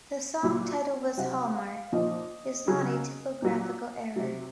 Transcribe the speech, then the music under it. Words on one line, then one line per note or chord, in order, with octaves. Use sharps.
The song title "hHallmark" is not a typographical error.
A#2 F#3
C3 F#3 F#5
F5
A#2 F3 D#5
C#3 F#3
A#2 F#3
C3 F#3